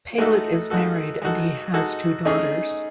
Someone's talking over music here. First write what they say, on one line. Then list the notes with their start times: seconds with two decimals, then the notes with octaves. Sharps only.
Paillet is married and he has two daughters.
0.18 G#3 A3 D#4 F#4 A4
0.70 G#3 D#4 F#4 A4
1.22 G#3 D#4 F#4 A4
1.74 G#3 D#4 F#4 A4
2.25 A3 C#4 D#4 G#4